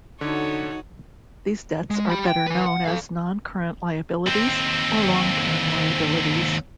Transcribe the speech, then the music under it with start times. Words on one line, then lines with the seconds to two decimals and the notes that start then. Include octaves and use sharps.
These debts are better known as non-current liabilities or long-term liabilities.
0.21 D3 D#4 F#4 A4 C#5
1.91 G#3
2.10 G4 B5
2.27 G5
2.47 B4 G#5
2.66 F#5
2.85 A4 F5
4.27 D#2 C4